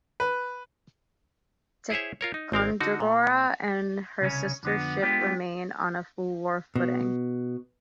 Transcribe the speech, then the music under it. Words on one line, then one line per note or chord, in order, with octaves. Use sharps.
"Ticonderoga" and her sister ships remained on a full war footing.
B4
E4 G#4 C5 C#5 E5
F4 A#4 C#5
D#4
G#1 C4 A#4 F5
D3 D#4 F#4
A#2
C2 C#3 C#4
F2 D3 B3
G#3 B3 D4 F4 G4
B2